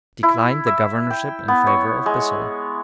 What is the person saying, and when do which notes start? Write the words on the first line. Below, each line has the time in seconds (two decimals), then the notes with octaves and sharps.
Declined the governorship in favor of Bissell.
0.23 E4
0.67 E5
1.11 G5
1.48 B3
1.67 C#5
2.06 G#3